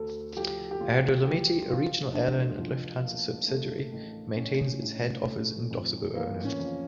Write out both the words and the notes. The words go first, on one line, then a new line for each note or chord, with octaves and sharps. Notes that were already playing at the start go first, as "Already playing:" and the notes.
Air Dolomiti, a regional airline and Lufthansa subsidiary, maintains its head office in Dossobuono.
Already playing: D2 A4
F3 G4
G4
D2 F4
F3 G4
F3 F4
A1 D4
F3
A#3
A3
A1
A1 C#4
A2
A3
F2
E3 A#3
C#4
F2